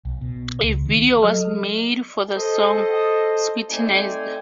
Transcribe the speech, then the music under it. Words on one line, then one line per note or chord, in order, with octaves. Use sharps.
A video was made for the song "Scrutinized".
B1
B2
C#2
D#3
F#3 A4 D#5 F6
A4 C5 D#5
A3 C4 D#4 C5 D5 G#5